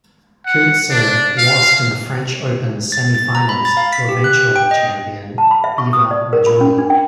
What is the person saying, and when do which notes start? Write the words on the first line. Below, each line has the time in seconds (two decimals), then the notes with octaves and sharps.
Coetzer lost in the French Open semi-finals to eventual-champion Iva Majoli.
0.45 F#5
0.90 D4
1.38 F5
2.92 A6
3.15 A6
3.35 A#5
3.49 B5
3.65 A6
3.77 F5
3.93 B6
4.09 G4
4.24 F#6
4.56 G5
4.71 D#5
5.38 A5
5.51 B5
5.64 E5
5.78 C#6
5.93 D#6
6.11 D5
6.33 A#4
6.47 B5
6.61 C#4
6.78 D4
6.90 G5